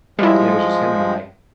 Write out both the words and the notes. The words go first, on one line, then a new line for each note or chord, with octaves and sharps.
and it was just him and I,
F3 G3 G#3 E4